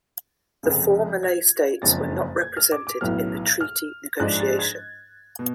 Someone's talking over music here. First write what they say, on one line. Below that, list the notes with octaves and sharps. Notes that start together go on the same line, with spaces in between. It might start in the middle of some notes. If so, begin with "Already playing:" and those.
The four Malay states were not represented in the treaty negotiation.
F1 F2 C#3
G#6
F#1 F2 F3 G#3 C#4 A6
G#6
F6
D6
D6
B1 A2 F#3 B3 F6
F6
G#2 F3 G#3 D4 F#6
A6
G#6
B2